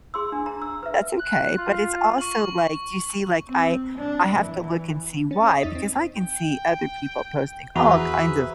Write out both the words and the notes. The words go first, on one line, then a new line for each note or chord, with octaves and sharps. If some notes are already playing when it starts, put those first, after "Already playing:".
that's okay, but it's also like you see, like, I I have to look and see why because I can see other people posting all kinds of
G#4 C6 E6
D4
A#5
E6
B4 E5
F#6
F4
C#6 F#7
C4
D4
E3
C#4 A6
C#5 E5 D#6
E2 D#4 D#5 A6 B6
C4
G5
E2 F#4 G#4 B4 C5 E5 A#5 B5